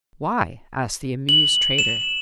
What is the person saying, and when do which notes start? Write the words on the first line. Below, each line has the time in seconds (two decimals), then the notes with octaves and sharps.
'Why?' asked the amused trader.
1.29 F#7
1.78 E7